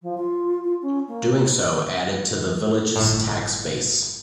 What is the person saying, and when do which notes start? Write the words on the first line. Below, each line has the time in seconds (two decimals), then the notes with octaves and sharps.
Doing so added to the village's tax base.
0.02 F3
0.17 F4
0.64 F4
0.82 C#4
1.08 A#3
1.49 B4
2.96 G1 A2